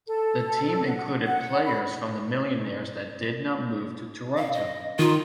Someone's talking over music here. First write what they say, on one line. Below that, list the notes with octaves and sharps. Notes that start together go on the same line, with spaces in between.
The team included players from the Millionaires that did not move to Toronto.
A4
F#5
F#5
B5
F5
D#5
D#3 F4